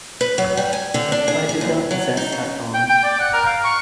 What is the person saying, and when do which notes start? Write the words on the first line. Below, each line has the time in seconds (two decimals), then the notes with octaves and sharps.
I did not possess that bomb.
0.21 B4
0.38 F#3
0.57 G3
0.73 G#5
0.94 D3
1.12 D4
1.28 G#4
1.49 G#4
1.61 D#2
1.91 F#3
2.17 D#4
2.32 C#3
2.74 G5
2.89 G5
3.04 D5
3.19 F#5
3.33 A#4
3.45 F5
3.64 C#6